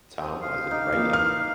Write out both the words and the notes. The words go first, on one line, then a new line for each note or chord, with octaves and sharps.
Tom wasn't writing.
C4 D#6
F5
D3 D#4 G4
C#3 E3 A#3
F6